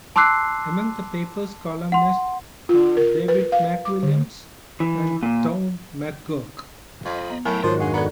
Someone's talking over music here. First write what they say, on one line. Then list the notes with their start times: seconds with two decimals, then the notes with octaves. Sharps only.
Among the paper's columnists are David McWilliams and Tom McGurk.
0.16 A5 C6 D6 E6 F#6 C7
1.92 F#5 C6
2.69 F4
2.97 A#4
3.28 B4
3.52 F5
3.85 D6
4.03 D3
4.80 E3
5.23 A#2
7.06 F2 D#5 B5
7.30 B3
7.45 A2 F#3 A#4 E5 G5 G#5 A#5
7.63 G#2 D#3 F3 F#4 A#4 C#5
7.80 F2 G#3 D4 F#5
7.94 B3 A4 D5 A#5